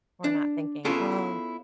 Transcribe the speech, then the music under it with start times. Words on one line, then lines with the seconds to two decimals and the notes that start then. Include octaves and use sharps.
we're not thinking, "Oh,
0.24 D4
0.85 B3 C#4 E4 F4 G#4 A4